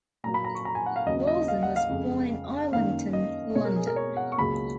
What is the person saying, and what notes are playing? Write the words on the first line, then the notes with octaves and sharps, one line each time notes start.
Wilson was born in Islington, London.
A#2 F#3 A#3 A#5
B5
A#5
C#6
A#5
G#5
F#5
F5
D#2 C#3 F#3 D#5
D#5
F5
F#5
F5
F2 C#3 G#3
F#2 D#3 A#3 F5
D#5
B2 G#3 B3 C#5
A#4
G#4
A#4
C#5
F#5
C#6
C#2 C#3 F#3 A#3 B5